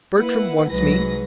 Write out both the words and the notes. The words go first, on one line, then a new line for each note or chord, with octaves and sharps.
Bertram wants me.
A#3 E4 B4 F#5
C2 G#2 F#3 B4 A#6